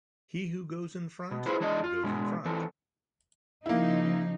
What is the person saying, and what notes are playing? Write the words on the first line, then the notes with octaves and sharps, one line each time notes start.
He who goes in front, goes in front.
B2
E4 F4 G#4 B4 C5
E3 G#3 D4 D#4 G#4 D#5
F4
B2 G#3
E3 C4 A4
C#3 F3 A#3 D#4 E4